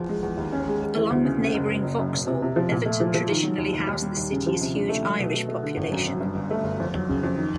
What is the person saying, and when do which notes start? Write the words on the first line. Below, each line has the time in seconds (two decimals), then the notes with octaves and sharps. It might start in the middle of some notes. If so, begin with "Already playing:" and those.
Along with neighbouring Vauxhall, Everton traditionally housed the city's huge Irish population.
Already playing: E2 F3
0.09 G#3
0.23 E2
0.37 D#2
0.52 C#4
0.68 G#3
0.81 G#3
0.96 E3
1.10 D2
1.25 C#3
1.40 C#3
1.54 F#1
1.69 F#1
1.83 F#1
1.99 F#2
2.13 E1
2.27 C3
2.42 C3
2.56 F3
2.71 A#2
2.86 A3
3.00 F3
3.14 F3
3.29 D#3
3.43 F#3
3.58 D#2
3.72 D#2
3.87 D#2
4.02 G3
4.17 D#2
4.32 C#3
4.46 F3
4.61 C3
4.75 D4
4.89 A3
5.04 F#3
5.19 B2
5.34 A3
5.48 A3
5.63 D3
5.77 G#1
5.92 F#2
6.07 F#2
6.20 G2
6.35 G1
6.51 A3
6.64 G1
6.80 F2
6.94 F#3
7.09 C#3
7.23 F2
7.37 D#3